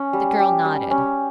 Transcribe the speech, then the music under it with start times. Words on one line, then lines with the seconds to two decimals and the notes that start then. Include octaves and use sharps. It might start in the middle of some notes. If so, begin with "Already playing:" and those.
The girl nodded.
Already playing: C#4
0.13 G3
0.39 G4
0.65 G3
0.91 C#4